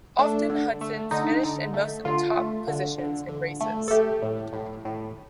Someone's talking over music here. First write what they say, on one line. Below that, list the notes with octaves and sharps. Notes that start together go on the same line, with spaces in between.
Often Hudsons finished in most of the top positions in races.
A3 D4
D3
A3
D3 D#4
D3
A3
D3 F4
A3
D3
D3
D3
A3
A4
A3 G4
A2
A2
A2